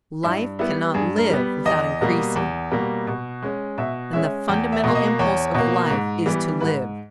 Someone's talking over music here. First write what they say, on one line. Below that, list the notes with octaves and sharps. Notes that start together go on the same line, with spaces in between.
Life cannot live without increasing, and the fundamental impulse of life is to live.
G2 E4
G3 B3 E4
G2 G#4
A#4
G3 B3
E2 D#5
B2 G3 A#3
E2
B2 G3 A#3
B2
G#3 C#4
B2 E5
G#3 C#4 E5
E2 G5
E5
B2 A#3
D#5
E2 C#5
B2 A#3
G#2
E3 G3 B3
G#2 B4